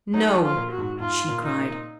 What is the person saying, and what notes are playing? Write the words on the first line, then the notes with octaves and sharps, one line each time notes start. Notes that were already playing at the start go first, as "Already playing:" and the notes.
"No!" she cried.
F#3 D#4
F3
F4
A#2
F#4
G#2
G#2 F4
A#2
D#4
A#2